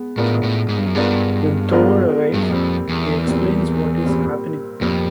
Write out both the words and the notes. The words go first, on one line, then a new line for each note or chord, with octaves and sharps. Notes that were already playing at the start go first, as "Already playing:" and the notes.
When Tovar arrives, he explains what is happening.
Already playing: G#3 B3
A2 G#3 B3 D4 F4 A#4
A2
G#2
G2
F#2
G2 G#3 B3 D4 F4 A#4
G#3 B3 D4 F4 A#4
G2
F#2
F2 A#2 G3 C4
E2
A#2 G3 C4
A#2 G3 C4
F2 A#2 G3 C4